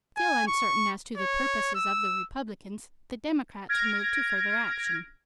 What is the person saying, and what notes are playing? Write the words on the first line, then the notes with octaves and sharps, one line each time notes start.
Still uncertain as to the purposes of the Republicans, the Democrats were moved to further action.
G#5
C#6
C#5
E6
F6 G#6 A#6 D7